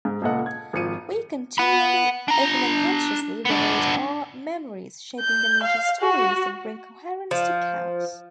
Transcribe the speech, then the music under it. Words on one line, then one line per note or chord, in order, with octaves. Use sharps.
We continually-often unconsciously-renovate our memories, shaping them into stories that bring coherence to chaos.
G#2
C#2 A#2 A4 D#5 F#5
G#6
G#1 F3 C#7 D#7
F#5 B5
D4 A#5
B3 D4
G6
F5
F#4
F3